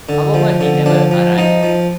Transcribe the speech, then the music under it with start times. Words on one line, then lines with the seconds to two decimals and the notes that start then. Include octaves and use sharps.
However, he never arrived.
0.09 D3
0.34 F3
0.61 D3
0.86 F3 D4
1.11 F3
1.38 F3 D#4
1.63 F3